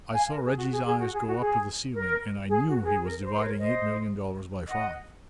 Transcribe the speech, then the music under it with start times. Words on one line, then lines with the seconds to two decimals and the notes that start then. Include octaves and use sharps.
I saw Reggie's eyes go up to the ceiling and I knew he was dividing eight million dollars by five.
0.12 F5 G#5
0.30 A#4
0.43 G#4
0.57 F#4
0.71 G#4
0.84 G#4
0.98 F#4
1.12 G#4
1.26 F#4
1.39 G#4
1.94 A#4
2.48 G#4
2.67 F#4
2.81 A#4
2.85 G#4
3.03 A#4
3.22 C5
3.33 C5
3.39 A#4 C#5
3.58 C5 D#5
4.68 D#5 F#5